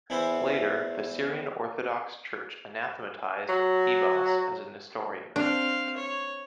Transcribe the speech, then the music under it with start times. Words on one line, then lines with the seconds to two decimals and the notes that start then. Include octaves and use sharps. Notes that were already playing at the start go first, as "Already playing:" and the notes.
Later, the Syrian Orthodox Church anathematized Ibas as a Nestorian.
0.10 E2 E3 B3 E4 C5
3.49 F#3
5.36 C4 D4 F5
5.97 C#5